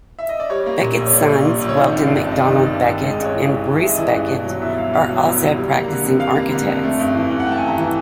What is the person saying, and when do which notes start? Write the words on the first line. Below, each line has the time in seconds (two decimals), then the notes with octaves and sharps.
Becket's sons, Welton MacDonald Becket and Bruce Becket, are also practicing architects.
0.19 E5
0.29 D#5
0.40 D5
0.50 G3 C#5
0.66 A#3
0.81 A#2
0.97 A#1
1.06 C#5
1.13 G3 D5
1.29 A#3
1.45 A#2
1.60 A#1
1.69 C#5
1.77 D#3 D5
1.92 G#1
2.08 G2
2.24 G#1
2.32 D#5
2.40 D#3 D5
2.55 G#1
2.72 G2
2.88 G#1
3.03 G#3 D#5
3.13 D5
3.19 G2
3.24 C#5
3.35 E3
3.51 G2
3.67 G#3
3.78 G2 E5
3.88 D#5
3.98 E3 D5
4.14 G2
4.30 B2
4.46 F#3
4.61 E2 E5
4.77 E1 F5
4.93 B2 F5
5.09 F#3
5.25 E2
5.41 E1
5.57 G3
5.72 A#3
5.88 D3
6.04 F2
6.20 G3 F5
6.36 A#3
6.51 D3
6.67 F2
6.83 A3
6.99 G2
7.15 E3
7.30 G2
7.40 F#5
7.47 A3 G5
7.52 A5
7.57 G#5
7.63 G2 A#5
7.78 E3